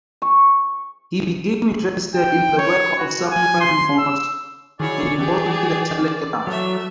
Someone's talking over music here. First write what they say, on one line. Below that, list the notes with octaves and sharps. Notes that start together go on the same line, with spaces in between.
He became interested in the work of Samuel Morse involving the telegraph.
C#6
G5
C#5
F#4
G#5
C6
E6
D#3 F#3 E4 G#4 C#5 D5
E3 G4 G#4
F#3 A3 E5